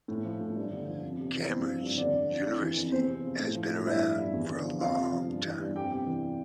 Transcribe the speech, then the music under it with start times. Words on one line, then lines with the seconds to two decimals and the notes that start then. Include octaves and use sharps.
Cambridge university has been around for a long time.
0.08 A2
0.24 F3
0.41 A2
0.56 G2
0.71 D3
0.88 F3
1.03 F2
1.19 C3
1.35 E3
1.50 G2 C4
1.66 F3
1.82 G2
1.97 F2 D3 D4
2.13 D3
2.29 F3
2.44 F2
2.60 E3
2.76 F2
2.92 E2 C4 C5
3.08 C3
3.23 F3
3.39 A2
3.54 F3
3.70 A2
3.86 G2 E4 E5
4.02 F3
4.18 G2
4.33 E2
4.49 D3
4.64 F3
4.81 F2 F4 F5
4.97 C3
5.12 F3
5.28 G2
5.44 E3
5.59 G2
5.75 F2 G4 G5
5.91 C3
6.06 E3